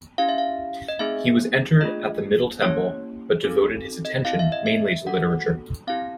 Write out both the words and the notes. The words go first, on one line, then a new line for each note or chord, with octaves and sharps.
He was entered at the Middle Temple, but devoted his attention mainly to literature.
C#4 E4 G4 F5
E5
F5
D#5
A3 C4 D#4 G#4 E5
A3 D4 F4 G#4 D#5
A#3 C#4 E4 G4 C#5
C4 D#4 F#4 A4
D#5
C4 E4 G4 F5
E5
D#5
E5
D4 F#4 A4 F#5
C4 E4 G4 F5